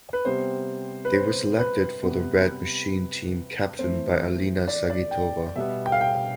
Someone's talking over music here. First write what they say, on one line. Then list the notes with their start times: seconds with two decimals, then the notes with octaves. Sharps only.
They were selected for the Red Machine team captained by Alina Zagitova.
0.13 B4
0.25 C3 G3 B3 C5
1.05 B4
1.14 C5
1.59 B4
2.03 C3 G3 B3
3.79 E3 A3 C4 C5
4.68 D5
4.90 D5
5.11 G5
5.56 B2 G3 B3 E5
5.86 G5
5.92 F5
6.01 G5